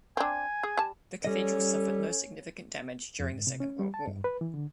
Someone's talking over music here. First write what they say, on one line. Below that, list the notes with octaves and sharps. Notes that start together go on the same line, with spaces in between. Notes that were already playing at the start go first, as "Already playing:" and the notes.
The cathedral suffered no significant damage during the Second World War.
C4 D4 G#5
G#4
G3 A5
G3 C#4 A4 D#5
F2
G#2
C3
C#4
G3
A5
G2
B4
E3
D3